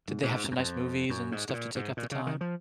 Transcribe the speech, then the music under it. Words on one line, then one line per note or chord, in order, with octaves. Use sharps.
Did they have some nice movies and stuff to take up the time?
G#2
G#2
F2
F#2
F2
F#2
G#2
G#2
A#2
G#2
A#2
C#3
D#3
F3